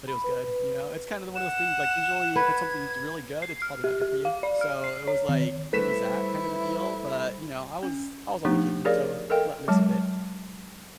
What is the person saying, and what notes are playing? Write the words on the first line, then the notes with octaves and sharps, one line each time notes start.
but it was good, you know? It's kinda one of those things, like, usually, if it's something that's really good, it's probably not good for you. So it was like it was that kind of a deal, but, you know, I was I was on vacation, so let loose a bit,
B5
B4
F#5 E7
B4 G#6
C7
F6
G4
G4
F5
D5
F6
C7
C#5
D#3
G3 A3 E4 B4 C5 B6 E7
C#4
F3 A3 B3 D4 D#4 G4
G4 G#4 A#4 C#5 D5 F5
A4 A#4 D#5 F5 G5
F#3 G#3 A5